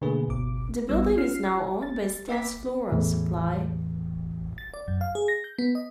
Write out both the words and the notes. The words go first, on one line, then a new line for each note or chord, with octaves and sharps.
The building is now owned by Stats Floral Supply.
B2 D3 A3 A#3 G#4 B4
G1 C#2 B2 D6
A1 G3 B3 E6
C#4 F4 F6 C7
A6
A#3 B4 E5 G5 D6 B6
E2 A2 E3
A6
D5
F#2
F5
G#4
A#6
G6
B3
D#5